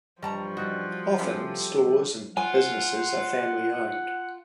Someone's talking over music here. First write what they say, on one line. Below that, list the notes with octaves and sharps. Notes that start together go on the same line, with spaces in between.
Often stores and businesses are family owned.
G2 F3 G3 D#5 A5 A#5 C#6
G3 D#4 F#4
B3 C#4 E4 G4 A4
F4 F#5 G#5